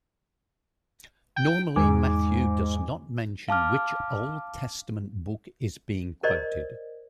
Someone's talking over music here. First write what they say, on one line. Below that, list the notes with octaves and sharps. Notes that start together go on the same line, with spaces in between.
Normally Matthew does not mention which Old Testament book is being quoted.
G5
E2 G#2 G#5 D6
F5 A5 D6 F6
A#4 C5 D5 D#5